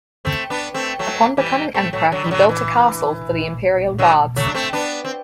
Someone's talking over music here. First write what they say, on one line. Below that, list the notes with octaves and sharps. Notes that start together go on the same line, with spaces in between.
Upon becoming emperor, he built a castle for the imperial guards.
A3 C4
B3 D4
A3 C4
F#3 A3
E3 G3
A3 C4
F#3 A3
D3 F#3
G3
D3 F#3
E3
D3 F#3
F#3 A3
D4
A3 C4
B3 D4
C4